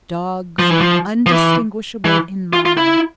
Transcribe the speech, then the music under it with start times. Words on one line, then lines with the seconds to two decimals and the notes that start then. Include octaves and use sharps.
Dogs, undistinguishable in mire.
0.59 F3
0.71 E3
0.81 F3
1.26 F3
1.32 E3
2.05 E3
2.53 F4
2.66 F4
2.77 E4